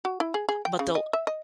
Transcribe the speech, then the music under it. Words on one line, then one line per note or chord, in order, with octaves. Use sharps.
but, they'll
F#4
E4
G#4
G#4
G5
C#3
D#5
E5
D#5